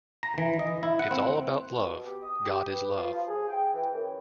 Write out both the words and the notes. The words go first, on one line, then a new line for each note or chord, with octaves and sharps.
It's all about love - God is love.
A#5
E3
D#5
E4
F#5
C4
B2
G4
D#6
G4
B4
F4
F3
G#4
G5
E3
F#2